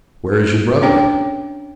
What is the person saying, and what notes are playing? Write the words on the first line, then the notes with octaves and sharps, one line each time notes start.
"Where is your brother?"
C#4 D4 C#5 G5 D6